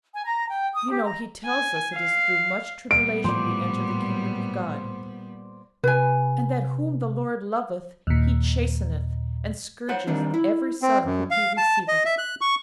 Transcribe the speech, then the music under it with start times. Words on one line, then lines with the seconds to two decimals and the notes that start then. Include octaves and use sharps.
You know He tells us it is through much tribulation we enter the kingdom of God; and that whom the Lord loveth He chasteneth, and scourgeth every son whom he receiveth.
0.12 G#5
0.24 A#5
0.49 G5
0.73 D#6
0.90 G4
1.04 A#5
1.45 G#5
1.95 F5
2.91 A#2 G3 B3 D7
3.24 A2 F3 C5 D5
5.84 C3 B4 G#5
8.07 D#2 A#2
9.89 C5 C#5 F#5
10.07 D#3 G3 C4 D4
10.34 E4
10.82 C4
11.05 F#2
11.31 F5
11.57 A5
11.88 D#5
12.05 E5
12.18 F#6
12.41 C#6